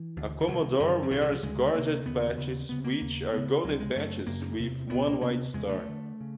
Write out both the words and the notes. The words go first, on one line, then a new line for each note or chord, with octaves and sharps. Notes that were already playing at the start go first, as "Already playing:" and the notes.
A commodore wears gorget patches which are golden patches with one white star.
Already playing: E3
D2 D3
D3
C2 B2 D#3
F#2 D3 D#3
D3
C2 A#2 D#3
D#3
F3
D2 C#3 G#3
D2 C3 A#3
D#2 C#3 B3
D#2 C#3
D2 C#3 B3
A#3
D#2 C#3
D2 C#3 B3
C#2 C3 F#3
G#3
F#2 C#3 A3
F#2 C#3 A#3
E2 C3
C#2 B2 B3
A#3
D2 C3 A#3
E2 C#3 G#3
A3
D2
D3
C#3